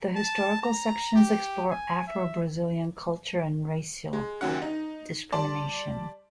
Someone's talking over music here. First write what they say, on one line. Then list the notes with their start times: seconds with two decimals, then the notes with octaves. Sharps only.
The historical sections explore Afro-Brazilian culture and racial discrimination.
0.16 A5
0.62 A#5
1.16 G4
1.71 G#5
2.07 E5
4.13 G#3
4.41 F#1 D#2 F#3 C#4 F#5
4.62 D#4
5.32 G3 D5 A5 C6